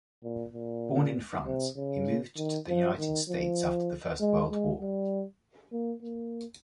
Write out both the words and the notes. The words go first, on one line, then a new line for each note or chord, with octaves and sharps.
Born in France, he moved to the United States after the First World War.
A#2
A#2
C3
C#3
D#3
F3
D#3
F3
G#3
G#3
G3
A#3
A#3